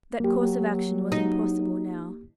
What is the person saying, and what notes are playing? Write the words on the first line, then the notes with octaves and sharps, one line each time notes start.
That course of action was impossible now.
F#3 A#3 G4
D#4